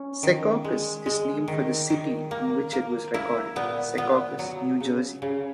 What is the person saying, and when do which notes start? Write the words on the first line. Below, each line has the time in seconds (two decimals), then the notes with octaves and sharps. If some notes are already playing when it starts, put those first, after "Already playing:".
"Secaucus" is named for the city in which it was recorded, Secaucus, New Jersey.
Already playing: C#4
0.23 D#3
0.64 G#3
1.06 G#3
1.48 D#3
1.90 D#3
2.31 A#3
2.73 A#3
3.14 A#3 E4
3.56 A#2 B3
3.97 A#2 B3
4.39 F#3
4.80 C#3
5.22 C#3